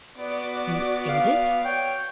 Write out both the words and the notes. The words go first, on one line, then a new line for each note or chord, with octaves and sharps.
"You ate it?"
B3 F#4 D5 D6
F5
C#5 G5